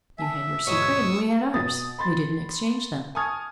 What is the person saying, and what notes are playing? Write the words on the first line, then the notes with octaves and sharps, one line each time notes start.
You had your secret and we had ours; we didn't exchange them.
E5 G#5 A5
D2 G#2 B2 C#5 C#6 D#6 E6
B2 D#6 A6
B5 C6 A6
G#5 A5 C#6 D#6 F6 G#6